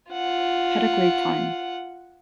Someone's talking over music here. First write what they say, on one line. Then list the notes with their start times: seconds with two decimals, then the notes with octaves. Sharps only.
Had a great time.
0.12 F4 F#5